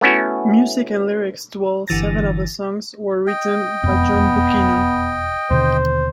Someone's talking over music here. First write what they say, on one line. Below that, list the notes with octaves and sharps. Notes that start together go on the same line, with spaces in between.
Music and lyrics to all seven of the songs were written by John Bucchino.
A3 B3 C#4 E4 F#4
G1 D3 E3 A6 A#6
D#5 G5
E1 F2 B3
D#2 B2 D3 C5